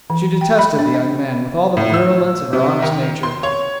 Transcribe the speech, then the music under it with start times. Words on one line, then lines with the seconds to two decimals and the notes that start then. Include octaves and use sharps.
She detested the young man with all the virulence of her honest nature.
0.10 E3
0.41 G5
0.59 B5
0.79 D4
0.94 D#5
1.77 A2
1.94 E6
2.53 C3
2.82 D#3
3.23 C6
3.43 C#5